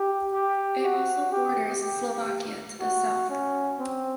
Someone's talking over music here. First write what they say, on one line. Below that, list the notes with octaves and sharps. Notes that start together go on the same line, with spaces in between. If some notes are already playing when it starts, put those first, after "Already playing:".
It also borders Slovakia to the south.
Already playing: G4
G4
F#4
G4
G4
F#4
C#4
C4